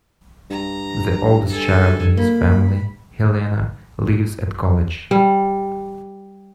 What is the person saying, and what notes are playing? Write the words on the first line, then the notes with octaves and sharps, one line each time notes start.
The oldest child in his family, Helena, lives at college.
G2 A#5
A4 G#5
A#3 B5
G3